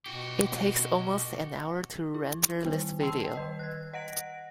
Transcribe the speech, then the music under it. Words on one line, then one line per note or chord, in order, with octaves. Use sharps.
It takes almost an hour to render this video.
B2 F#4 G4
E4
D#3 B3
G5 A5 C6 E6 C7
D#3 B4 D#5
F#6 G#6
D#5 F#5 A#6 D7